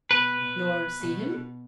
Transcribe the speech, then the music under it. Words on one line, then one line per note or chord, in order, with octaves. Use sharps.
"Nor see him?"
B2 B4
B2
B2